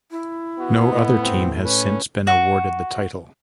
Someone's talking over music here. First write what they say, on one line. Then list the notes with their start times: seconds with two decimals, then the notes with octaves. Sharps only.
No other team has since been awarded the title.
0.11 E4
0.59 B3 F#4
0.91 A2 D#5
1.22 C4
1.65 C#4 B4
2.27 F#4